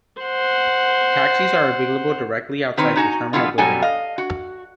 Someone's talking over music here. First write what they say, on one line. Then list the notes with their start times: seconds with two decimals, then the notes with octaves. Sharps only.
Taxis are available directly outside the terminal building.
0.22 C5 F#5
2.77 D#3 C4 B4 C#5
2.96 D#4 F#4 G#5 A#5
3.33 F3 G3 A#3 B3 E4 F4
3.58 B2 F#3 G3 A4 G#5
3.82 D#5 F5
4.18 F#4